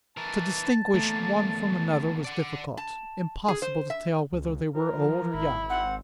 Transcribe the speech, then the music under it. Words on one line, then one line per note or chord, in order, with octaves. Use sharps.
To distinguish one from another was difficult; impossible to tell whether they were old or young.
E3 A#4 A5
E2 A3 A#3
D5 F#5
A5
G#4
C5
E5
C#2
F3 A#4
G#1 E4
C4 F#5